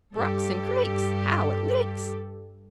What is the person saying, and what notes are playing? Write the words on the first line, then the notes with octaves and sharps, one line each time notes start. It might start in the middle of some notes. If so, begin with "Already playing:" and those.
"Brooks and creeks, How it leaks!"
G2 G4 A4